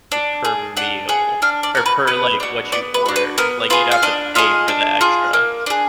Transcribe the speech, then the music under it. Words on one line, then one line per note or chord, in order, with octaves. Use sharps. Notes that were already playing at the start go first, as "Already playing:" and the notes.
per meal or per, like, what you order. Like, you'd have to pay for the extra
D4
G#4
D4 F#5
G#4 F#5
D4 F5
D5
F#4 A#4
B4
B3 B4
D4 F#4
B3 D5
B4
D4 F#4
B4
B3 A#4
F4 G#4 B4
F5
D4 D#5
F4 G#4 D#5
D4
F4 G#4
A#3
D4 G#4